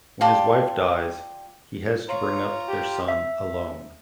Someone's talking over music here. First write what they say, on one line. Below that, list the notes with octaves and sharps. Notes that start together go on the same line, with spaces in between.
When his wife dies he has to bring up their son alone.
F4 G4 D5 A5
F4 C#5 A#5
G4
E5